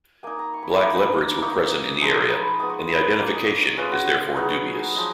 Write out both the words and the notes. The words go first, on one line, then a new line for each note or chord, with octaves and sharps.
Black leopards were present in the area and the identification is therefore dubious.
A#3 D#4 G#5
A#5
C#6
B5
A#5
A#3 D#4 B5
A#3 D#4 C#6
F3 G#3 D#4 D#6
C#6
B5
G#3 B3 D#4 D#6
C#6
B5
A#5
B4
A#3 F4
D#5
C#5
C#5
G#3 C#4 F4 B4
F#4
F#3 B3 D#4 G#4
C#5
F3 G#3 D#4